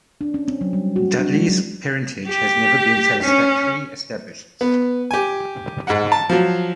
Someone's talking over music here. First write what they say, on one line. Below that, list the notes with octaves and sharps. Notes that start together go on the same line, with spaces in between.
Dudley's parentage has never been satisfactorily established.
D4
C#4
C4
F#3
G3
F#4
D4
G#3
F#3
G4
C#4
B3
G4 G#5
G#2 F#5
A5
F3 F#3